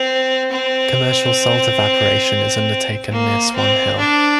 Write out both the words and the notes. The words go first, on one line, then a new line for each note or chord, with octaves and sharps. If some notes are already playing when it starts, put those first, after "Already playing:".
Commercial salt evaporation is undertaken near Swan Hill.
Already playing: C4
C4
A#3
C4
D4